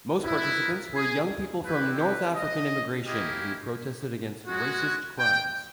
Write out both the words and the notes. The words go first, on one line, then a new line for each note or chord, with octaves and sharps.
Most participants were young people from North African immigration, who protested against racist crimes.
G#3 B3 E4
A#4
G#4
C4 E4 G4 B4
B4
D#5
A#3 C#4 E4 G4 D#5
G#3 C#4 F#4
G5